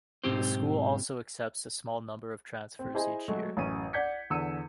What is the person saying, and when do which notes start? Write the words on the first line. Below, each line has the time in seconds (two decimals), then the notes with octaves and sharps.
The school also accepts a small number of transfers each year.
0.24 B1 E2 G#2 C4 G4 C5
2.79 C4
2.94 E4 G#4 C5 D#5 G#5
3.28 F#3 G#3 A3 F#4
3.57 A1 F#2 C#4 D#7
3.93 D5 F#5 G6 G#6 B6 C#7
4.30 E2 D3 E6 C#7 D#7